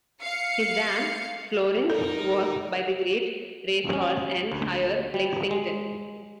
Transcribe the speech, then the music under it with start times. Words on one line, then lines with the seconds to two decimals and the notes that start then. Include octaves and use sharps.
His dam, Florence, was by the great racehorse and sire Lexington.
0.22 F5 C#7
1.90 D#4 A4 A#4
3.93 C#4
4.52 D2
5.14 G3
5.51 G#3